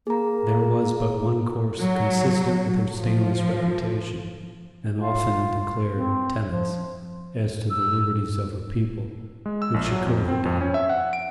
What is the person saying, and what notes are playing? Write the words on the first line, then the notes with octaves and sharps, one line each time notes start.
There was but one course consistent with her stainless reputation and often-declared tenets, as to the liberties of her people, which she could have adopted.
A#3 G#4 A#5
F#3
F3
F4
C4
F3
E6
G#3
E6
A#1
F#3
F2
C4
F2
C#4
E5
F#5
D7